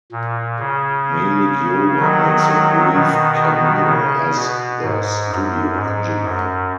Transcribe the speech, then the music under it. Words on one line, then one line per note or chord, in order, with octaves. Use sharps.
Malik Yoba makes a brief cameo as their studio engineer.
A#2
C#3
D#3 F#3
B2 D#3
C#3
B2
G#2
F#2
G#2
F#2